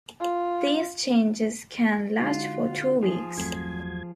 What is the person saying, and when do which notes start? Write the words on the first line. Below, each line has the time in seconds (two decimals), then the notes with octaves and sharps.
These changes can last for two weeks.
0.20 F4
2.20 D3 G#3 D#4 F4 F#4
3.03 F3 G#4
3.37 G1 E2 F#3 A3 C4 G#6